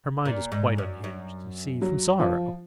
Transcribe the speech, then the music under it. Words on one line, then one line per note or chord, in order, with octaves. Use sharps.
Her mind is quite unhinged, you see... from sorrow.
A#2
G#2
F#2
F#2
F#3
F3